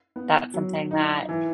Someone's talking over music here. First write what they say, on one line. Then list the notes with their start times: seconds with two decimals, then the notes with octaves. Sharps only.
That's something that,
0.16 B3
0.54 F#3
0.91 D#4
1.29 E3